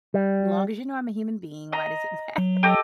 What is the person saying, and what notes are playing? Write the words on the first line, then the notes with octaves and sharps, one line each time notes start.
"Long as you know I'm a human being, why does it matter?
G3
D#5 A#5
F#3
G4 A4 D#5